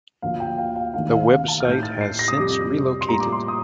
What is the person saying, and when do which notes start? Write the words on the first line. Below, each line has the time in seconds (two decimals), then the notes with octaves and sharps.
The website has since relocated.
0.22 D2 D3 F3 A#3 F5
0.40 G5
0.58 F5
0.76 F5
0.94 D#2 D#3 A3 D4 F5
1.11 F5
1.29 F5
1.48 A5
1.60 F6
1.65 A2 A3 D#4 G6
1.83 A6
2.01 C7
2.19 A#6
2.28 D#6
2.36 F2 C3 G3 D6
3.01 C6
3.08 A2 G3 A#3 D4 F4 A#5
3.20 D6
3.32 C6
3.48 D#6